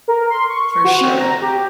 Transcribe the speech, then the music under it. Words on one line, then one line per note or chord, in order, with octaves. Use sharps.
For sure.
A#4
C6
C#6
F#4
C4
A#5
G4